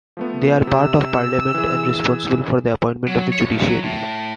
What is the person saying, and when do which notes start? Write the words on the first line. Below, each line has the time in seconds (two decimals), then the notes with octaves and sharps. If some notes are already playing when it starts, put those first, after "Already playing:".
They are part of Parliament and responsible for the appointment of the judiciary.
0.17 F3 A3 B3
0.67 C3 E6
1.54 E3 G#4
3.08 F#3
3.33 C#5
3.46 B1
3.65 F#3
3.84 A2